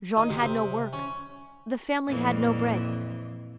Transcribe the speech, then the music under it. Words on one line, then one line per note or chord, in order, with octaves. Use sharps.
Jean had no work. The family had no bread.
D#4
C3
C3
C#4
F2 A#2 E3